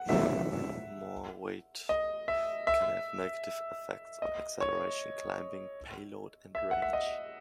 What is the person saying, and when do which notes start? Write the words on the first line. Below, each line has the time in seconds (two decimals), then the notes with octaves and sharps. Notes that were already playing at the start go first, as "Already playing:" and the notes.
More weight can have negative effects on acceleration, climbing, payload, and range.
Already playing: F#5
0.09 E5
1.89 D#5
2.28 E5
2.67 E5
4.22 D#5
4.61 C#5
6.55 E5
6.71 F#5
6.82 E5
6.93 D#5